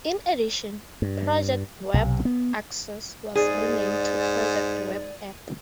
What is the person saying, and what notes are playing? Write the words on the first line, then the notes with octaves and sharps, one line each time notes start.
In addition, "Project Web Access" was renamed to "Project Web App".
G2
B1 C3
B3
G#2 G#4 D5